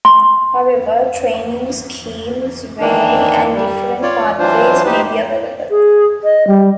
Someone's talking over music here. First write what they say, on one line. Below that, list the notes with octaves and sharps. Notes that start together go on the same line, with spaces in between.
However training schemes vary and different pathways may be available.
C6
D#3 E3 A#3 D4
G3
F4 C#5 D5
E3 F#3 D4 F4 C5
D#4 G4 B4 C5
G#4
D#5
G3